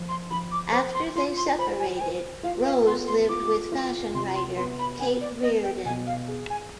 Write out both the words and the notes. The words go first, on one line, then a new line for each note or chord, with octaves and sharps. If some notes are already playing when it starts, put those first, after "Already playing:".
After they separated, Rose lived with fashion writer Kate Reardon.
Already playing: F3
C6
F3 B5
D6
C5 D6
C6
F4 C6
C6
C5 B5
G#5
G5
C5 G#5
F4 F5
F5
B3 C6
C6
F4 D6
F4
C3 C6
C6
B3 C6
B5
B3 G#5
D5
B3 D#5
G5
B2 G#5
F5
G#4
G#5